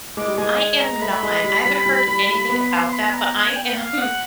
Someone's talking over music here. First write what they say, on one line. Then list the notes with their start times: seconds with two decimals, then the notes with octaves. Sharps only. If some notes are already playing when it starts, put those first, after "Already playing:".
I am not. I haven't heard anything about that, but I am
0.17 G#3 D6
0.28 G3
0.38 G#3 G#5
0.60 G#5
0.80 A#5
1.02 A3 B5
1.23 G#3
1.44 G3
1.65 G3
1.86 G3
2.07 G3
2.29 G3
2.50 B3
2.71 C6
2.87 C6
2.93 B5
3.14 A#5
3.35 G#5
3.56 G5
3.77 F5
3.99 F#5